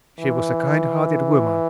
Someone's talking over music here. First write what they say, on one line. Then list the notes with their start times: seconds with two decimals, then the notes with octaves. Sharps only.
She was a kind-hearted woman.
0.19 E3